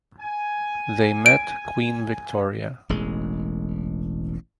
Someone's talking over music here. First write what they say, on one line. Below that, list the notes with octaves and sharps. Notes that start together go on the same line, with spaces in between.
They met Queen Victoria.
G#5
D7
E1 A1 G#3